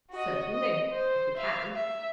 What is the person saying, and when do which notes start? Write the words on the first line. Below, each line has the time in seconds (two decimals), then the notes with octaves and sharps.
"Certainly--if we can."
0.11 F#4 D#5
0.52 D#5
0.91 C5
1.37 E5 F5
1.76 E5